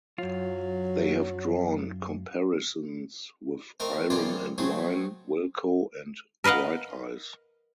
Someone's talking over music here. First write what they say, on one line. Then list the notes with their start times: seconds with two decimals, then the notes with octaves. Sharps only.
They have drawn comparisons with Iron and Wine, Wilco, and Bright Eyes.
0.18 F#2 F#3 F4
3.80 A3 C4 A#4 D#5 G5
4.10 F#2 E3 F4 C5 D5 G5
4.58 F#3 A3 C4 F#4 G#4
6.44 A#4 B4 D#5 F5 F#5